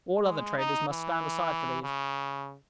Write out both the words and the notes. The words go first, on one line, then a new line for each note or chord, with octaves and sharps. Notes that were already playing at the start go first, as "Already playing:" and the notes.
All other traders must stand aside for these.
G#3
D#4
E3
C#3